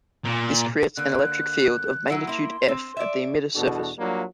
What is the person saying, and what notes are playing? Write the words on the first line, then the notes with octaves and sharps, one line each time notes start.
This creates an electric field of magnitude "F" at the emitter surface.
A#2
D3 A#3 F#6
F#3 E4 F#5
A#3 E4 C6
C4 C6
D5 E5
E2 B2 D4 F#4 A4
F#3 G3 A#3 D4 F4